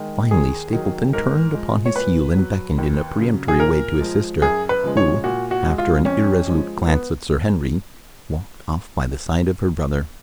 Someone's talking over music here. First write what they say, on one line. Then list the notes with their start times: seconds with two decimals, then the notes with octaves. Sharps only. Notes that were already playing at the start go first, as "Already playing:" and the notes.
Finally Stapleton turned upon his heel and beckoned in a peremptory way to his sister, who, after an irresolute glance at Sir Henry, walked off by the side of her brother.
Already playing: D#3 G#3
0.31 D#2 G#4
0.73 D#3 F#3
1.13 G#2 A#4
1.54 F3 G#3
1.86 C#5
1.96 A#2 B4
2.37 F#3
2.78 D#2
3.18 C#3 F#3
3.48 G#4
3.59 A#2 A#4
4.01 F3 G#3
4.42 F#2 G#4
4.69 B4
4.83 C#3 F3 G#3
4.97 C#5
5.24 A#2 F#4
5.51 F#4
5.65 G#3
5.78 F4
6.05 F2 C#4
6.47 F3 G#3
6.88 B3